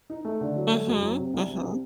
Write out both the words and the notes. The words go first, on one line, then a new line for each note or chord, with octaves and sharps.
Mhm, mhm.
D#4
A3
D3
F#3
A3
F#2
F#3
C3
C2
C3
C3